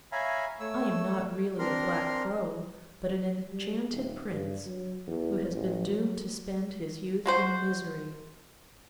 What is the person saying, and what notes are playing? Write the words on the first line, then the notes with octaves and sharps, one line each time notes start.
'I am not really a black crow, but an enchanted Prince, who has been doomed to spend his youth in misery.
C#5 E5 F5 G#5 A#5 B5
A3 C#5 E6
C4 D4 A#4 A#5 C6 F6
G3
D#1
G2
F#3
E2
A1
F#3
G#3 F#4 C5